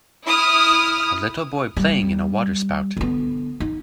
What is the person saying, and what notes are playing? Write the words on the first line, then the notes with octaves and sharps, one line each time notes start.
A little boy playing in a water spout.
E4 D#6 F6
G3
D3 B3
D#4